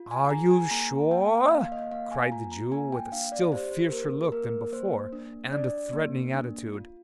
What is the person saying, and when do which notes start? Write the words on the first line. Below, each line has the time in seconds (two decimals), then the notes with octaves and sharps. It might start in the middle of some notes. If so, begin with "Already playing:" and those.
'Are you sure?' cried the Jew: with a still fiercer look than before: and a threatening attitude.
Already playing: F4
0.11 G#5
0.30 G#4 A#5
0.51 G#5
0.71 A#3 A#5
1.11 A#3 G5
1.51 A#3 F5
1.72 D#5
1.91 A#3 F5
2.11 G#5
2.32 F4 A#5
2.52 A#5
2.72 A#3 G#5
2.92 G5
3.12 D4 F5
3.32 D5
3.52 G4 C5
3.72 C5
3.92 A#3 A#4
4.32 A#3 A#4
4.72 A#3 C5
5.13 D4
5.52 D4 D5
5.93 A#3
6.33 D4
6.74 F4